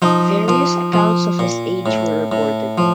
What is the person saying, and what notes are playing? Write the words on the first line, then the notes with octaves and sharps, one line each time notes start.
Various accounts of his age were reported.
F3 D#4
F3
F3
A#2
A2
A2
F3